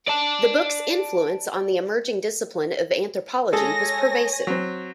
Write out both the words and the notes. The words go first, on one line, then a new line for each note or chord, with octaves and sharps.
The book's influence on the emerging discipline of anthropology was pervasive.
D5 A5
G#3 G#4 A4 C#5 G#5 A#6
F#3 C4